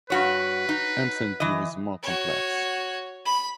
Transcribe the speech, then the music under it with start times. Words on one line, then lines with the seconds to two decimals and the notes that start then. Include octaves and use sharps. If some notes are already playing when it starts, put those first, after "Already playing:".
Empson's view is more complex.
0.10 G2 F#4 B4 C#5
0.69 D#4
1.40 E3 D#5
2.02 F#4 C#5
3.25 B5